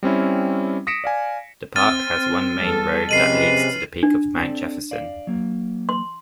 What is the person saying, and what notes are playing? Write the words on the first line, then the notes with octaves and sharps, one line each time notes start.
The park has one main road that leads to the peak of Mount Jefferson.
G3 C4 C#4 E4
D#6 A#6 B6 C#7 D7 E7
D5 F5 G#5
C4 F6 A6 D#7
E2 G3 A4
C3 F3 G#3 C#4 B4 C7 D#7 F#7
D4
C4 A4 D5
D5 F5
F#3 A#3
C6